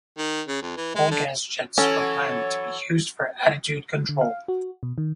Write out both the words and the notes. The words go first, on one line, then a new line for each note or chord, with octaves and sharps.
Cold gas jets were planned to be used for attitude control.
D#3
C#3
F2
E3
G#3
D3
E3 F#3 C#4 A4 C#5
D3
F5
F#4
B2
D#3